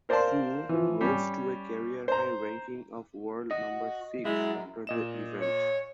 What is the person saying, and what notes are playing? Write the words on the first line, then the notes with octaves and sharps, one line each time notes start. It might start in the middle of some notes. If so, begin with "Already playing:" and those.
Fu rose to a career-high ranking of world number six after the event.
A#4 C5 D5 F5 A5 C6
E3 F3
G3 C#4
C5 A#5
F#4 D#5
F#2 G#3 E4
A#2 D#5 E7
C#5